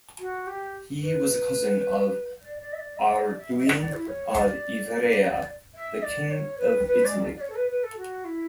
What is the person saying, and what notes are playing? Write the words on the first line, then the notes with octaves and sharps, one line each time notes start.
He was a cousin of Arduin of Ivrea, the King of Italy.
F#4
G4
B4
D5
D5
E5
D5
E5
D5
D5
E5
E5
D5
D5
E4
C#5
D5
E5
D5
C#5
B4
B4
D5
D5
C#5
A4
B4
B4
A4
F#4
E4